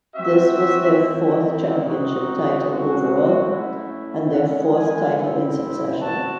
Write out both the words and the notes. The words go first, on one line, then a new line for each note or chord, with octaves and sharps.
This was their fourth championship title overall and their fourth title in succession.
C4 F#4 E5
C4 E4
C4 D#4 F#4
G#3 C4 F#4
A3 C#4 E4 F#5
G#3 C#4 E4 F#5
G#5
C4 E4
C4 F#4 A5